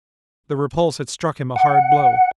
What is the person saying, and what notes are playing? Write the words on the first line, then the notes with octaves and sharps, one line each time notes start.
The repulse had struck him a hard blow.
F#5